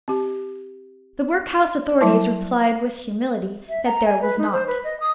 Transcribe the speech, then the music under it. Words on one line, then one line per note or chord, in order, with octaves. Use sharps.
The workhouse authorities replied with humility, that there was not.
C4 G4
F#3 G3 E4 E5 A5
E5
A#5
G#5
B4
D#4
C5
B4
D#5
D#6